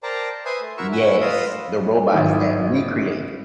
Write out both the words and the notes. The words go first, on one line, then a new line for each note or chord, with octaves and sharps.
Yes, the robots that we created.
A#4 C5 D5 G5 A5 A#5
B4 C5 E5 G#5 C6 D#6
A3
E4 F#4 A#4 E5 C#6 E6
F#5 G#5 B5 C#6 E6
F4 B4 D#5 F5 D#6 E6
G#1 D#3 F#3 E4